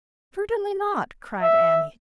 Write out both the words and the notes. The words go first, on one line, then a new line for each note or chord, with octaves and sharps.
"Certainly not," cried Annie.
E5